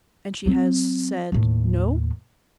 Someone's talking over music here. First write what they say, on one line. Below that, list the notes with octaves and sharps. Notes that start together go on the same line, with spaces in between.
"And she has said No?"
F#3 C4
D#2 A2